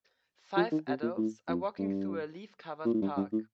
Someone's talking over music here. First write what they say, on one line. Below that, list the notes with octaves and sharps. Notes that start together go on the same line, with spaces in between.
Five adults are walking through a leafcovered park.
F3
D#3
C3
A#2
A2
F2
G2
A#2
A2
G2
G2
A2